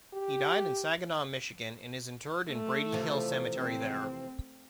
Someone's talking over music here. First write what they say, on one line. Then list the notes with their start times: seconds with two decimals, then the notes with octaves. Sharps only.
He died in Saginaw, Michigan, and is interred in Brady Hill Cemetery there.
0.14 G4
2.51 A3
2.92 C3 E3 F3
3.56 C4